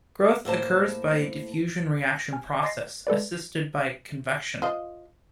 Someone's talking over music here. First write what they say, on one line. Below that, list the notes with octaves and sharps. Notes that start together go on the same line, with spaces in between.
Growth occurs by a diffusion-reaction process, assisted by convection.
A2 A#3 C5 A5
G#5 F6
D#5 G#5 C6 A6 A#6 C7
G#3 A4 B4 D5
F4 C5 D#5